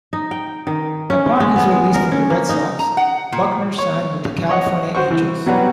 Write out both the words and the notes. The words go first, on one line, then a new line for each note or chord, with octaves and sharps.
Upon his release from the Red Sox, Buckner signed with the California Angels.
D#4
G5
D#3
C#4
G#3
B3
G#3
A#4
C#4
A#3
D#4
A#5
F#5
A#2
C#5
C#5 D#5 F#5
F#4 C5 C#6
E3
B2 F#3 G3 F#4 B4 A#5